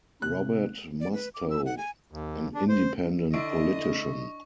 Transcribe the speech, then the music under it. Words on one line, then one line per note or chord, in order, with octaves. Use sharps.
Robert Mustow, an independent politician.
C3 F#6
D5
B4
D6
E6
F#5
G#5
D#2
D4
C5
D3 E4 D#5 C#6 D7